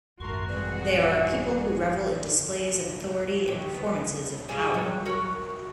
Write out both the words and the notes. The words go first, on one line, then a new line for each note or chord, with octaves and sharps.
They are a people who revel in displays of authority and performances of power.
G#1 F#2 A3 F#4 A#4 F#5 C6 C#6
E3 G3 C4 G#4
F#3 G4
B3
G3 F4 G#4
F#3 G3
F#4 A#4 C#5